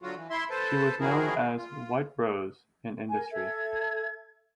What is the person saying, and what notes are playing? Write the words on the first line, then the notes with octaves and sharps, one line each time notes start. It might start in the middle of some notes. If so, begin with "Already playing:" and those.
She was known as "White Rose" in industry.
D3 F#3 F4 F#4
E3
E4 E5 C6
A4 B4 C5 A5
D#3 F3 E4 F#4 G#4 A#4
F4
A#4 G#5
A4 E5 G#6